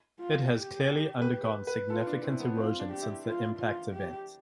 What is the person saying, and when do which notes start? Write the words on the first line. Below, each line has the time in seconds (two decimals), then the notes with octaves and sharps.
It has clearly undergone significant erosion since the impact event.
0.20 F4
0.54 G4
1.21 B4
1.44 B4
1.67 B4
1.90 F4 A4
2.07 D4
2.23 C4 E4
2.40 B3
2.57 C4 F4
2.80 D4
2.91 G4
3.02 E4
3.25 F4
3.59 F4
3.93 G4